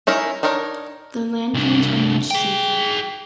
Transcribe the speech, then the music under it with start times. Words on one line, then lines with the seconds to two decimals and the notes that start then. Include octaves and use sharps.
The landplanes were much safer.
0.07 C#4 D#4 E4 A#4
0.43 D4 D#4 A#4 C#5
1.54 C2 D4
2.31 G#4 G5